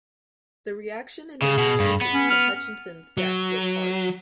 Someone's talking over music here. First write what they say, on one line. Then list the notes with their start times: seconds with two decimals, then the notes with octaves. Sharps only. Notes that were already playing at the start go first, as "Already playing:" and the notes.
The reaction in Massachusetts to Hutchinson's death was harsh.
1.42 C#3 G#4
1.58 B2
1.80 G2
2.01 B3
2.13 C#4
2.30 F6
3.17 F#3